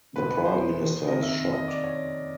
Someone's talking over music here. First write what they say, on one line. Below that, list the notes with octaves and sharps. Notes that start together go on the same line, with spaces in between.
The Prime Minister is shocked.
F#1 E2 B2 G#3 B4
B4
C5
F#1 F2 C3 D#3 D#5
E5
D#5
D5
C#5